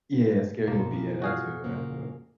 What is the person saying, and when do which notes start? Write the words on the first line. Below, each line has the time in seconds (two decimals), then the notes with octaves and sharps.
Yeah, scary movie, yeah, that too that too.
0.68 D2 B2 F3 A#3 A4
0.91 E3 F3
1.22 F#4 G#4 F5
1.64 A#2 C#3 A#3